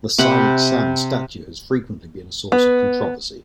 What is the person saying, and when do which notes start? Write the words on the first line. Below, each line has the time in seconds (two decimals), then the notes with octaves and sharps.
The Silent Sam statue has frequently been a source of controversy.
0.18 C3 F#5 B5
2.52 B3